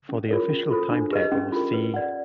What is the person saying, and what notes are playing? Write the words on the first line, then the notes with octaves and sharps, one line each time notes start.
For the official timetable, see.
C#4
F4 A#4 C#5
C#4
F4 A4 C5
D4
G4 B4 D#5
C#4
F4 A#4
B4
D5 F#5